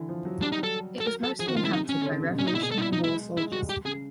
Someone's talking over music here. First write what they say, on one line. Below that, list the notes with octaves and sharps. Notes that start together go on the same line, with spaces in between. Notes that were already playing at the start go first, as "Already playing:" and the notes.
It was mostly inhabited by Revolutionary War soldiers.
Already playing: D3 E3
F3
F#3
G3 D4
D#4
F#3
A4
A4
A#4
A4
F3 G#4
D#3 F#4
C#3 F4
C3 E4
D#4
C#4
D3
C#3
C3
B2
A#2 C#4
D#4
B2 E4
G#4
A4
D#4
E4
F#3
D#4
G#3 E4
G#3 E4
G3 F#4
G4
C#3 G#4